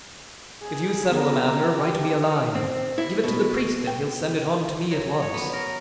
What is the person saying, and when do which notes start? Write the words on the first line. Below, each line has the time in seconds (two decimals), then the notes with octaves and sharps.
If you settle the matter, write me a line; give it to the priest and he'll send it on to me at once.
0.63 G#4
1.12 B3 G#4 A#4
1.74 G4
2.55 C4
2.98 E4
3.24 B2
3.87 G5
4.91 F#3
5.22 C#5
5.34 B3
5.53 A#4